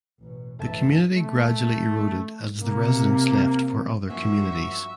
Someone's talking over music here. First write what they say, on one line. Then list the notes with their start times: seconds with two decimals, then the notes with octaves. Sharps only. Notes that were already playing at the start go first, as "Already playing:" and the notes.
The community gradually eroded as the residents left for other communities.
0.20 A1 B2
0.60 A1 D2 G2 A3 E5 A5
1.16 A3
2.59 C3 A#3
4.10 G2 F3 A#3 C#4 E4 F#4 E5